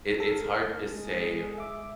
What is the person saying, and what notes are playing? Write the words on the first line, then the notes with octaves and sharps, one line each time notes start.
it it's hard to say
A4 A#4
G#3
E5 D6